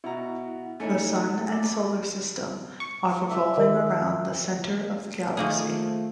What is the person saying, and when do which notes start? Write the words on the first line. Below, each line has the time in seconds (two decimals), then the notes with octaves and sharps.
The Sun and Solar System are revolving around the center of the Galaxy.
0.04 B2 E4 F#4 A#5
0.80 E3 A3 C#4 D#4
1.50 A4 D5
2.80 C#6
3.30 E5 D6
3.57 D#3
5.37 D#3 F3 A3 A#3 G#4